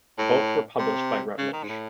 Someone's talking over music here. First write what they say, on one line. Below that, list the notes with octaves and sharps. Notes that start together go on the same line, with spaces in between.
Both were published by Routledge.
A2
C3
C#3
D#3
G#2
A2